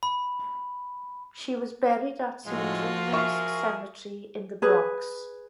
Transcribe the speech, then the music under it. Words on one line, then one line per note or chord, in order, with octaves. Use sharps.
She was buried at Saint Raymond's Cemetery in the Bronx.
B5
A2 F3 G#3 D#4 F4 F#4
G#4 A#4 E5 C#6
G#4 B4